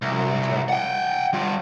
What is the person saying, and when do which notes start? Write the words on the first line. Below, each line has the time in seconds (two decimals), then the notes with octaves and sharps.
Yeah, real talk.
0.02 C2
0.69 F#5 G5
1.33 G3 F4